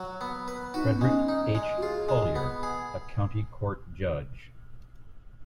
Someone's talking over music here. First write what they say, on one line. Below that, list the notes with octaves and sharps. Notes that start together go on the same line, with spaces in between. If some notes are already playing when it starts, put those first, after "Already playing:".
Frederick H. Collier, a county court judge.
Already playing: F#3 F#4
B3
B4
D#4 F#4
C#4
B3
G#3 C#4
D#4
G#3
F#4
F4 G#4
G#3
B3
G#4